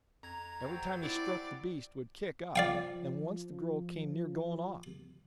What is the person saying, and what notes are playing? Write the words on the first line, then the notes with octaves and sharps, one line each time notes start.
Every time he struck, the beast would kick up and once the girl came near going off.
F2 A#5 G#6
F#3 G3 C4
E4 D5
F3 D5 F5 G5